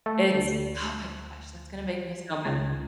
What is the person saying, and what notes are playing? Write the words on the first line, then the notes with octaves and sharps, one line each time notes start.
It's oh my gosh, that's gonna make me so mad.
A3
D2
C#2